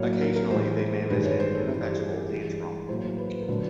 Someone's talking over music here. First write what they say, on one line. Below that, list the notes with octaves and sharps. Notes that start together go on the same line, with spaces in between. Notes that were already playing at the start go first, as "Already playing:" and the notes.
Occasionally they manage an ineffectual tantrum.
Already playing: A2 F#3 A#3 C#5
A#4
A#4
A2 E3 G#3 C5
G2 D#3 G#3 B4
C#5
C5
A4
G2 E3 G3
G4
G#4
G4
G2 E3 G#3 G#4
A2 F#3 A#3 C5
B4
A#4
D3 F#3 A3 B4